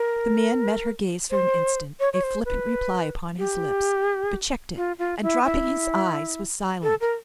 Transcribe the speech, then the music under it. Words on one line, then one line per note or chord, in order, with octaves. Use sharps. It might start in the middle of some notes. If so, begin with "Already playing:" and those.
The man met her gaze for an instant, a flippant reply upon his lips, but checked it and dropping his eyes, was silent.
Already playing: A#4
C5
C#5
C#5
C5
B4
G4
F4
F4
E4
E4
A4
A#4